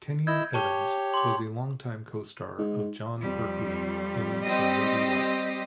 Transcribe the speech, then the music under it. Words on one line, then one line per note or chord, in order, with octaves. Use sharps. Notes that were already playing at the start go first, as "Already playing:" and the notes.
Tenniel Evans was a long-time co-star of Jon Pertwee in "The Navy Lark".
E4 D#5 E6 G6 G#6
G4 C#5 A5 C#6 G7
C6 D6
G#2
F2 G3
C4 G4 D#5